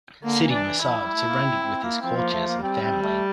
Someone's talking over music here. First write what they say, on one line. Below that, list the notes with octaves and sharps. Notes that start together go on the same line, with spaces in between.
Siddi Musud surrendered with his courtiers and family.
D3 A#3
E3
D4
E3
F3 E4
G3
A3
A#3
C4
C4
A#3
F3 C4
A#3
A3
A#3
G3 C4
C4
A3